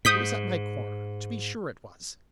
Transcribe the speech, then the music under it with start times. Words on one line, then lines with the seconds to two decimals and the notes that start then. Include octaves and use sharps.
It was at my corner. To be sure it was!
0.05 G#2 D#6 G6 B6